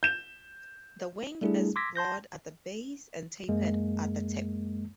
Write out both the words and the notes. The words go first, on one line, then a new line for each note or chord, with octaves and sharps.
The wing is broad at the base and tapered at the tip.
G6 E7
G3 A3 D4 E4 G#4
C6 D6 E6 G#6 A#6 B6
A5 C6 G6 A#6
F#2 G#3 A#3